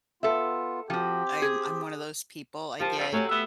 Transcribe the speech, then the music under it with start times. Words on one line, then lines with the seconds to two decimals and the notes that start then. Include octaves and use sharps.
I'm I'm one of those people, I get,
0.23 B3 F4 A4 E5
0.90 F3 C4 F#4 G4 G5
1.42 G#4
2.80 F3 G4 A#4
2.99 F2 G#2 F3
3.12 F#3 A3 C4 C#4 F#4 G4
3.29 B3 E5